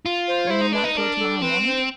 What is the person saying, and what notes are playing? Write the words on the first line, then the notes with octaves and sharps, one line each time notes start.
"Will you not go tomorrow morning?"
F4
C5
C#5
E4 C5
D#4
D4 B4
D#4
D4 A#4
A4
C4 B4
C5